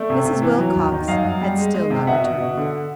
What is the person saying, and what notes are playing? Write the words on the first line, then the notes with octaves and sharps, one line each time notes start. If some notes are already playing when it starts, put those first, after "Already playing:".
Mrs. Wilcox had still not returned.
Already playing: A3 D5 E5
C3
C3
E3
F#3
D#2
D#3
F#2 D#5 F5
F#2
G3
G#3
G#3
C3
B2 E5 F#5
B2
B2
D3